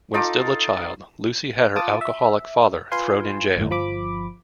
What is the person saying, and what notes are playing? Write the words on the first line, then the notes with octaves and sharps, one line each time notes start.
When still a child, Lucy had her alcoholic father thrown in jail.
D#4 F4 A4 D6
F4 A5 D6 D#6 A6
E5
F4 B4 F5 G#5 C6
G1 D#2 A2
G1 F3 B5 D6